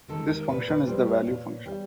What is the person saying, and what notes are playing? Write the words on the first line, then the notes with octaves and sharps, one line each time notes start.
This function is the "value function".
D#3 G#3 A4
A#4
A#2 B4
B4
G3 C5
C#5
A#2
G3